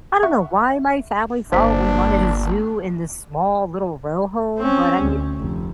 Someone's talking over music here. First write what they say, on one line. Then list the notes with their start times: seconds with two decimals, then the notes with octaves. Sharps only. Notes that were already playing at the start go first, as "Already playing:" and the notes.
I don't know why my family thought we wanted a zoo in this small little row home, but I mean,
0.23 E5 F#5 C#6
1.52 G1 A#3 D4 C5 B6
4.59 C4 C#4
5.01 D2
5.38 F1